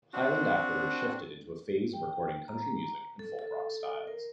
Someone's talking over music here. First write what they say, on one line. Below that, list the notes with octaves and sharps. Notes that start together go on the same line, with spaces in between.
Hyland afterward shifted into a phase of recording country music and folk rock styles.
C4 D4 F#4
G5
A#5
A4
A4
A#4